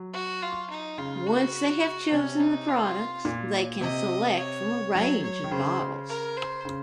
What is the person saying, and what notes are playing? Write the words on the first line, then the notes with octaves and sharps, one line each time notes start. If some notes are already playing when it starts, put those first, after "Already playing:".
Once they have chosen the products, they can select from a range of bottles.
Already playing: F#3
F#4
F4
D#4
C#3 F4
F#4
C3 C#4
D#4
F4
A#2
C3 D#5
C#5
F#3 C#5
C#5
D#3
C#3 C5
A#4
C5
C#3